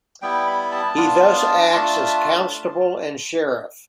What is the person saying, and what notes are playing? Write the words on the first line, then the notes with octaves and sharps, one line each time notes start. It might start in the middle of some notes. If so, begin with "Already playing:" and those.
He thus acts as constable and sheriff.
G3 B3 E4 G5
B5
A5
B3 D4 F4
A3 D4 F4